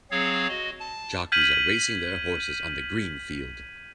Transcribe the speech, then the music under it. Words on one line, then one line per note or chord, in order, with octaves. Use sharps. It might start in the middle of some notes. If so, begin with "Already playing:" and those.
Jockeys are racing their horses on the green field.
F#3 C4 G#4 C#5 F5
F#4 D#5
A5
F6 G6 G#6 B6 D#7 F#7